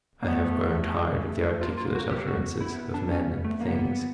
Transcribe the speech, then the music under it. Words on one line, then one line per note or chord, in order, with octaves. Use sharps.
I have grown tired of the articulate utterances of men and things.
A#3
A3 B3
G#3
A3
A#3 F4
F4
F#4
G4
B3 F#4
E4
D4
C#4
A3
A#3 B3